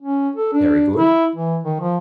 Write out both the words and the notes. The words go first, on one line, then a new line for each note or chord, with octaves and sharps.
Very good.
C#4
A4
D4
E4
E3
D#3
F3